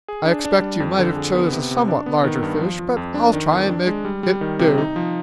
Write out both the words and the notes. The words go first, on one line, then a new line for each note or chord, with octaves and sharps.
I expect you might have chose a somewhat larger fish, but I'll try an' make it do.
G#4
D4
D4
G3
F2
D3
G#4
B3
C3
C3
D4
B3
D#3
G2
F3
F3
F2
D4
D#3
F2
D4
G#3
G3
G3
D#3
C3
D#4
F3